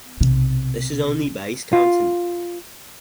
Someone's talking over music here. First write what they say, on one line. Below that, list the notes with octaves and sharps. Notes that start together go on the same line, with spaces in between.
This is only base counting.
B1 C3
F4